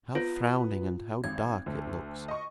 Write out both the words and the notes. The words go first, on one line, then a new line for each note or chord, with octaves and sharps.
How frowning and how dark it looks!'
B3 F4
G#1 G#6
D2
D#5 C#6